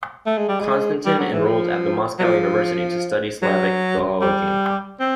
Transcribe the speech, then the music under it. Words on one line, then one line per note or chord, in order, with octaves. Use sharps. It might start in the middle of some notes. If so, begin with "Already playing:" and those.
Konstantin enrolled at the Moscow University to study Slavic philology.
A3
G#3
G3
G#3
G3
F#3
E3
F3
F#3
F3
F#3
G3
C4